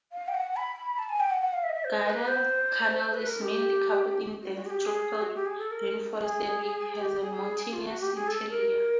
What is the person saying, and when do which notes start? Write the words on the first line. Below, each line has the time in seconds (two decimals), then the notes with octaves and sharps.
Guadalcanal is mainly covered in dense tropical rainforest and it has a mountainous interior.
0.12 F5
0.28 G5
0.34 F#5
0.56 B5
0.98 A5
1.09 G#5
1.20 G5
1.30 F#5
1.41 F#5
1.52 F5
1.63 E5
1.69 D#5
1.73 E5
1.84 C5
2.06 B4
2.27 C5
3.13 B4
3.27 A#4
3.41 G4
4.42 F#4
4.56 F#4
4.66 G#4
4.70 G4
4.85 G#4
5.22 F#4
5.34 G4
5.46 G#4
5.58 A4
5.71 A#4
6.13 G#4
6.99 G4
7.20 G#4
7.72 F4
7.86 F#4
8.00 G4
8.14 G#4
8.27 A4
8.49 A#4